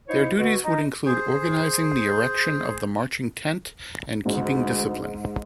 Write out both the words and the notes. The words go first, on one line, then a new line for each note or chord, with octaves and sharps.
Their duties would include organising the erection of the marching tent and keeping discipline.
F3 D#4 E4 C5 C#5
B2 D3 F#4
D#4
G#4 C5
D2 G#2